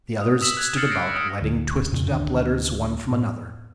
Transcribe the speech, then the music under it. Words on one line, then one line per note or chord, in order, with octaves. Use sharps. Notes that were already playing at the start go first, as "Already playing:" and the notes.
The others stood about, lighting twisted up letters one from another.
D#6
D#6 E6 B6 E7 F#7
F#6 G#6
F6 A6 C7 C#7 E7 F#7
F6 A#6 C7 D7
D#6
D2
B1 F2 A#2 C#3
D1 D2 D#3 D4
A2